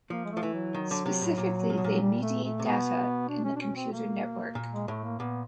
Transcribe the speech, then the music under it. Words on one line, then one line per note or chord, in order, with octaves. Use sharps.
Specifically, they mediate data in a computer network.
F3 A#3
G#3
F3 A3
E3
F#3
D#3
D3
C3
A2
A#2
A#2
B2
A#2
G3
A3
A3
C3
B2 B3
D4
C#4
D4
C#4
C4
A#3
A#2
G#3
A2 A3
A#3
A#2 B3